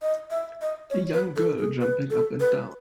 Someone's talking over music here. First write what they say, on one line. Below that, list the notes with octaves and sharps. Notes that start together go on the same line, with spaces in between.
A young girl jumping up and down.
D#5
E5
D#5
C#5
B4
A4
G#4
B4
A4
B4